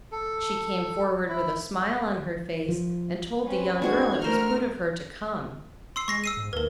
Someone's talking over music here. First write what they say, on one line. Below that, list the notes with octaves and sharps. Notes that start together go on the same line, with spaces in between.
She came forward with a smile on her face, and told the young girl it was good of her to come.
A4
E4
F3
C4 C#4 B4
G#3 B3 D4 F#4 F#5 G#6
A3 A#4 C5 F#5 F6
C6 E6 C7
G#3 C#6 A#6 C7
E6 C7 D#7
G#2
D#2 A#4 B4